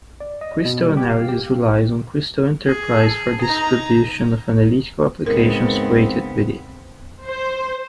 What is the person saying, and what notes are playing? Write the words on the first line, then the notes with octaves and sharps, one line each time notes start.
Crystal Analysis relies on Crystal Enterprise for distribution of analytical applications created with it.
D5
D#5
B2
G3
G4
F5
G4
G#4
D#4 A#5
G#2 C#3 B3 C4 A#4
C5